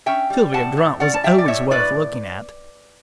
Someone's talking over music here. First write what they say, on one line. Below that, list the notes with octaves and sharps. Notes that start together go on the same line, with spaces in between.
Sylvia Grant was always worth looking at.
C#4 E5 G5
G3
A2 F#5 A5
A2
C#4 D5 F#5
A5
G3 E5 G5
D5
A2 C#5 E5
A2 B4 D5